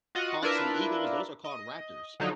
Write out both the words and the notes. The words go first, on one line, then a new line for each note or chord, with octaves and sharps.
hawks and eagles, those are called raptors.
F4 F#4 D#5 F#5
D4 E4 F4 A#4 B4 E5
D#5
D3 F3 F#3 D#4